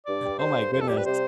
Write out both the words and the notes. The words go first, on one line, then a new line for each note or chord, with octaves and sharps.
Oh my goodness.
G2 D5
G3
D3 C5
G2
F2 C5
A4
G3 G4
B4
C3 C5